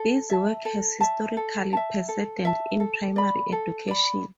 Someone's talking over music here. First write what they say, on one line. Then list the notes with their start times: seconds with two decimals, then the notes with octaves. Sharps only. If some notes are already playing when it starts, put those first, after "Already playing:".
Busy work has historical precedent in primary education.
Already playing: A4
0.30 E5 A5
0.65 A4
1.01 E5 A5
1.37 A4
1.73 E5 A5
2.08 A4
2.45 E5 A5
2.80 A4
3.16 D5 B5
3.52 A4
3.88 D5 B5